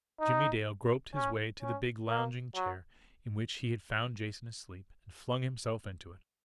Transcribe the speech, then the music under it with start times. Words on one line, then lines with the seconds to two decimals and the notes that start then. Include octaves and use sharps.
Jimmie Dale groped his way to the big lounging chair in which he had found Jason asleep, and flung himself into it.
0.20 D#4
1.15 C#4
1.62 C#4
2.09 A#3
2.55 F#3